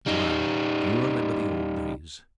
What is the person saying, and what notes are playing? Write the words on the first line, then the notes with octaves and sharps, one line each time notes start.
Tuan, do you remember the old days?
G3 D#4